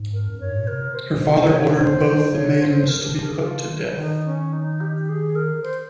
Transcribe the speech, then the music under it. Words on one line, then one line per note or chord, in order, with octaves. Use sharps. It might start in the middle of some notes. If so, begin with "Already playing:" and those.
Her father ordered both the maidens to be put to death.
Already playing: G#2
A#4
F2
G2 C#5
G#2
A#2
C3 A#4
C5
A#2
C3 C5
C#5
C5
C5
C#3 C#5
C3
C#3
C5
A#4
G4
A#4
G#4
F4
D#3 D#4
C#4
D#4
G4
G#4
A#4
C5